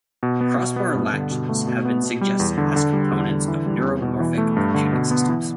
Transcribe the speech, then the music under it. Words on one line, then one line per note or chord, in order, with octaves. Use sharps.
Crossbar latches have been suggested as components of neuromorphic computing systems.
B2
B3
B2
B3
G2
D3
B2
A3
B2
B3
B2
G3
E2
D3
D3
G3
E2
D3
E3
G3
E2
B2
E3
A3
G2
D3
B2
B3
E3